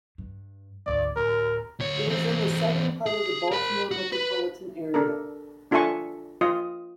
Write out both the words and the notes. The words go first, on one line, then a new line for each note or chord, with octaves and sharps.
It is in the southern part of the Baltimore metropolitan area.
G2
G#1 D2 D5
D1 A#4
D2 C#5
E3 C4
G#4
A#4 B5
F#4
B4
D4 A4 A#4
D4 F4 A4 E5 G#5 C#6
F4 D#5 D#6